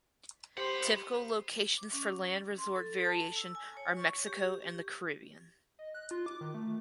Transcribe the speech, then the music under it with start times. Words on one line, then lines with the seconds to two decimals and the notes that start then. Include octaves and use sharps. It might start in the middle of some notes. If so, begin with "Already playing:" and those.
Typical locations for land resort vacation are Mexico and the Caribbean.
0.58 G4 C5 F#5 B5
1.78 D6
1.92 C#4
2.58 C6
2.76 A4
3.05 A5
3.36 E6
3.55 G#5
3.77 C#5
3.97 C#6
4.27 G4
5.79 D#5
5.94 F#6
6.11 F4
6.26 D6
6.41 D#3
6.54 A3